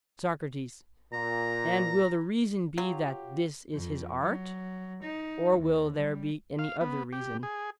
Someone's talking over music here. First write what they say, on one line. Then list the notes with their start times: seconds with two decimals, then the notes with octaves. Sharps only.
SOCRATES: And will the reason be that this is his art, or will there be any other reason?
1.13 A#2 A#5
2.78 F#3 F4 G4
3.73 F2
4.23 F#3
5.02 D#4
5.55 D#2
5.98 G3
6.59 F5
6.81 B3
7.13 G4
7.43 G#4